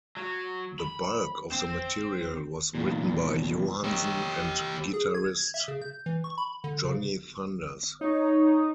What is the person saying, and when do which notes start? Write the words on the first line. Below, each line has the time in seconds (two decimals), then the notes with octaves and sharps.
The bulk of the material was written by Johansen and guitarist Johnny Thunders.
0.17 F#3
0.80 B5
1.52 C4
2.75 E2 A#2
3.84 G4 C#5
4.93 G#4
5.15 G#6
5.54 E5
5.68 C#3
5.82 G6
6.06 E3
6.24 C#6
6.38 B5
6.64 D3
6.85 C#3
8.01 D#4 C#5